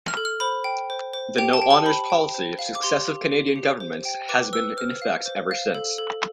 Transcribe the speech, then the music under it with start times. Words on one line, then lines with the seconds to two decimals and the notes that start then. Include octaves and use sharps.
The no-honours policy of successive Canadian governments has been in effect ever since.
0.08 F6
0.17 A4
0.25 F6
0.40 C5 B5
0.64 G5
0.90 C5
1.14 C5
1.38 G4 G5
1.53 A5
1.62 G5
1.71 A5
1.86 C5 B5
2.10 G5
2.34 C5
2.59 F5
2.75 D6
2.83 G4 C6
3.08 G4
3.32 G4
3.56 G4
3.80 C5
4.05 G5
4.29 B4 D6
4.53 B4 E6
4.77 C5 F6
5.02 F5
5.26 C5
5.51 F5
5.74 A4
5.98 A4